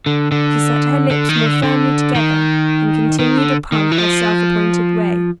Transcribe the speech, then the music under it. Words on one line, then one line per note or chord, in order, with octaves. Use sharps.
She set her lips more firmly together and continued upon her self-appointed way.
D3
D3
D3
D#3
D3
D3
D#3
D#3
D3
D#3
E3
F3